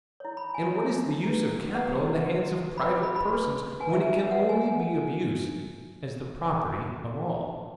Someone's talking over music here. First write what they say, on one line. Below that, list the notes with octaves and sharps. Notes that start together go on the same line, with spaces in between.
And what is the use of capital in the hands of private persons, when it can only be of use as the property of all?
E4 C#5
B5
G#5
E4 C#5
E4 B4
E4 B4 F#5
F#4 B4
F#4 B4 B5
B5
B5
F#4 B4
F#4 B4 G#5
E5
E5
F#4 B4 F#5
G#5
G#5